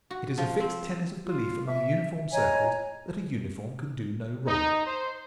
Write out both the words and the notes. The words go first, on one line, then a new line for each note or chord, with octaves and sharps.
It is a fixed tenet of belief among uniform circles that a uniform can do no wrong.
F#4
F3
C4
F4
E5
C#5 D#5 G#5 A#5
D#4
C5